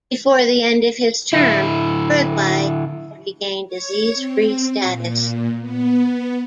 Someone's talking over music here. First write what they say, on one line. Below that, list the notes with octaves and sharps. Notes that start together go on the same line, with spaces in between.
Before the end of his term, Uruguay had re-gained disease-free status.
D3 E4
C#5
C4
A#2
B3